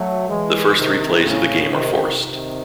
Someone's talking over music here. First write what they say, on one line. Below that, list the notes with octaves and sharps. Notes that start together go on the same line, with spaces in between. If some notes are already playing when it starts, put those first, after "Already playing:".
The first three plays of the game are forced.
Already playing: F#3 A3
E3 G#3
C3 D#3
A2 C#3
C3 D#3
C3 D#3